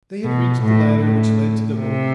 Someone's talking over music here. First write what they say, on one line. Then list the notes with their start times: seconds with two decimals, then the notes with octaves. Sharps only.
They had reached the ladder which led to the boat.
0.25 B2
0.62 A2
1.01 A2
1.77 C3